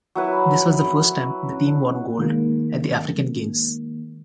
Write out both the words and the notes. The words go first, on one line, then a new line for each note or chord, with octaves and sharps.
This was the first time the team won gold at the African Games.
F#3 E4 B4
D#3 G#3 A#3